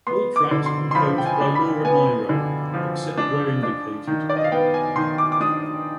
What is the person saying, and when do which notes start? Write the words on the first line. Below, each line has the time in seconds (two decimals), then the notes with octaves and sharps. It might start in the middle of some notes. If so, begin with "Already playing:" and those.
All tracks composed by Laura Nyro, except where indicated.
0.07 B3 C6
0.36 D6
0.51 D3
0.66 C6
0.91 C6
0.95 F3 B5
1.18 G5
1.26 G#5
1.40 D4
1.55 B5
1.85 B3 G#5
2.29 D3
2.73 F3
3.18 D4
3.63 D4
4.07 D#3
4.30 D5
4.37 D#5
4.44 F5
4.52 B3 G5
4.74 G#5
4.96 D#3 C6
5.18 D6
5.32 D6
5.40 D4 D#6